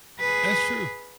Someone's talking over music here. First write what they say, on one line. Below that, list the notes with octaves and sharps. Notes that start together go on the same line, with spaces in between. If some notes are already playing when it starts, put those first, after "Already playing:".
That's true.
G#4 B4